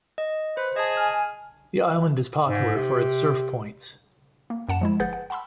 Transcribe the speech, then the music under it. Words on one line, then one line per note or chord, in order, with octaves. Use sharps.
The island is popular for it's surf points.
D#5
B4 C5
G#4 D#5 A5
G#5 F6
G#2
C3
A#3
F#2 F#5 A5 E7
F3 G#3 E4
G1 G#4 B4 F#5 G6 A6
F#5
F#5 A5 B5 C6 E6